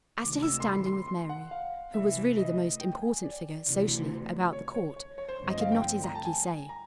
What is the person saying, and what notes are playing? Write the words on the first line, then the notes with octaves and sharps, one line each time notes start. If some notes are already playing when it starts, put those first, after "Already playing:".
As to his standing with Mary, who was really the most important figure, socially, about the court, I could not exactly say.
D2 C3 D#3 G#3 D6
E6
C6
B5
C6
C6
C6
F#5
F5
C3 E3 A3 E5
D#5
G5
G#5
D5
D2 C3 E3
C#5
C#5
C#5
C#5
C5
G2 D3 F3 A3 C4
D#5
F5
G5
A#5
A5
G#5
A#5